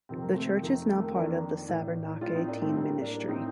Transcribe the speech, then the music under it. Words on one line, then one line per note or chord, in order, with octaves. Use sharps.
The church is now part of the Savernake team ministry.
F2 C3 D#3 C4
A#3
A3 C4
F2 D#3
A3
A#3
C4
F2 D#3 A#3 D4
A2
A2 D4 F4
C4 D#4
A#3 D4
A3 C4
A2 G3 A#3
A#3 D4
A2 C4 D#4